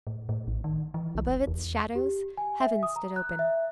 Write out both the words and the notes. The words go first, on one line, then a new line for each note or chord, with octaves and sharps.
Above its shadows heaven stood open.
A2
A2
A1
D#3
E3
C2
F1
E2
G4
G#5
E5
D#6
A#5
F#6
E5